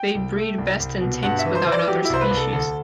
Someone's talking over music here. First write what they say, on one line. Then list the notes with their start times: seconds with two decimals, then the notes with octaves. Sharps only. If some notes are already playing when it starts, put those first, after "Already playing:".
They breed best in tanks without other species.
Already playing: G5
0.15 C2
0.36 A3
0.58 C2
0.80 C2
1.01 B2
1.23 G2 F#5
1.39 E5
1.45 E3
1.55 C5
1.66 E3
1.72 D5
1.88 F#3 G4
2.05 E4
2.10 C2 C5
2.21 B4
2.31 C2
2.37 A4
2.53 D2 A4